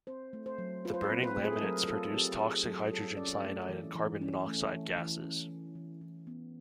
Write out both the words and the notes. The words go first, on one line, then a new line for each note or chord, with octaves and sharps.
The burning laminates produced toxic hydrogen cyanide and carbon monoxide gases.
C4 C5
A3
C5
F#3
F4 B4
C5
B4
C4
B4
A3
G#4
A4
F#3 A#4
F4 A4
C4 G4
A3 G#4
F#3 A4
F4 A4
C#4 D5
A3
E3
E3
C#4
A3
E3
E3
C#4
A3
E3
E3
B3